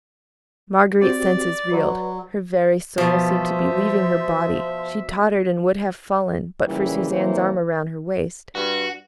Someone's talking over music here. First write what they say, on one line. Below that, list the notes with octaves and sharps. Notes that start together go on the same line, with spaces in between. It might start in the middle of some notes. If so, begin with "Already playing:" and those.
Marguerite's senses reeled, her very soul seemed to be leaving her body; she tottered, and would have fallen but for Suzanne's arm round her waist.
C4 F#4 G4 D5
F#3 B4 D5 F#5
B2 F3 C5 E5
A#2 C#3 E3 G3
C3 E3 A#3 C5 C#5
G2 F#4